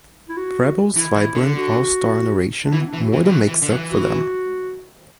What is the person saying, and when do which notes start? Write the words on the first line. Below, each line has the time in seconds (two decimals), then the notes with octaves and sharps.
Prebble's vibrant, all-star narration more than makes up for them.
0.29 E4
0.37 F#4
0.96 E3 E4
1.16 E3
1.35 D3
1.56 F#4
2.65 D4
2.73 E3 E4
2.81 B3
2.88 D4
2.93 E3
3.04 F#4
3.13 E3
3.25 E3
3.32 F#3
3.47 E3
3.62 D3
3.70 F#3
3.77 E3
3.92 F#4